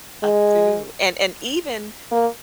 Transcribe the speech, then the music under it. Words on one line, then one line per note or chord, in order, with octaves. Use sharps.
I do. And and even
G#3
A#3